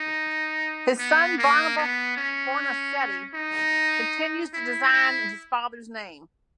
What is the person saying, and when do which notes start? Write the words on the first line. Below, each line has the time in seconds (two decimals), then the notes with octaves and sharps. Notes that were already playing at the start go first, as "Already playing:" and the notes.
His son, Barnaba Fornasetti, continues to design in his father's name.
Already playing: D#4
0.99 B3
1.38 A#3
1.77 B3
2.17 C#4
3.35 D#4
4.54 E4
4.93 E4